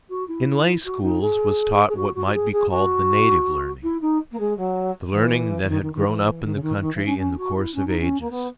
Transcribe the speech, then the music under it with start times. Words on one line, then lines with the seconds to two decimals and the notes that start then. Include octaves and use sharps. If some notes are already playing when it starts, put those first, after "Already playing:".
In lay schools was taught what might be called the native learning--the learning that had grown up in the country in the course of ages.
0.09 F#4
0.27 E4
0.84 F#4
1.02 D#4
1.21 G#4
1.88 G#4
1.96 F#4
2.14 F#4
2.26 F#4
2.33 G#4
2.52 G#4
2.70 F#4
3.82 E4
4.01 D#4
4.31 A#3
4.38 G#3
4.57 F#3
5.13 E3
5.62 E3
5.69 D#3
5.81 D#3
5.94 D#3
6.06 E3
6.43 D#3
6.54 C#3
6.62 D#3
6.75 E3
6.80 D#3
6.93 E3
7.05 C#4
7.18 C#4
7.37 F#4
7.55 E4
7.74 C#4
7.86 D#4
7.99 C#4
8.20 A#3
8.30 B3